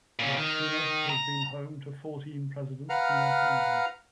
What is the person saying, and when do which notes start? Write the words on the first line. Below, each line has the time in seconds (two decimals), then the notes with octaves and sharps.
Los Pinos has been home to fourteen presidents and their families.
0.19 A#2 C#4
0.37 D#3
1.10 A#5
2.89 B4 F5 F#5 A#5 F6